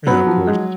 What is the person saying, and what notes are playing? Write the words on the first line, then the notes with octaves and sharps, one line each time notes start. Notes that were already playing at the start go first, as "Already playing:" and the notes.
Yeah, of course.
F#3 B3
F3
G#3